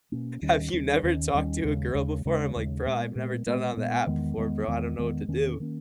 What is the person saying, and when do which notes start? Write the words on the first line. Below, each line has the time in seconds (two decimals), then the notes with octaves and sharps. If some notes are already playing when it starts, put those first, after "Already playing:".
have you never talked to a girl before?" I'm like, "Bro, I've never done it on the app before, bro. I don't know what to do."
0.12 B2 A#3 C#4
0.42 D#2 D#3 G3 C#4
0.73 D#2 D#3 G3 C#4
1.03 D#2 D#3 G3 C#4
1.34 D#2 D#3 G3 C#4
1.64 D#2 C#3 G#3
1.94 D#2 C#3 G#3
2.25 D#2 C#3 G#3
2.55 D#2 C#3 G#3
2.85 A#2 G#3 B3
3.15 A#2 G#3 B3
3.46 A#2 G#3 B3
3.76 A#2 G#3 B3
4.07 E2 D#3 G#3 B3
4.37 E2 D#3 G#3 B3
4.68 E2 D#3 G#3 B3
4.98 E2 D#3 G#3 B3
5.28 E2 D#3 A#3 C#4
5.60 D#3 A#3 C#4